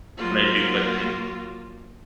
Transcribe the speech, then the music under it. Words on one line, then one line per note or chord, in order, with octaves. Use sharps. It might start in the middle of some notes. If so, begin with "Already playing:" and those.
when I do good things
F#3 A#3 F4 F#4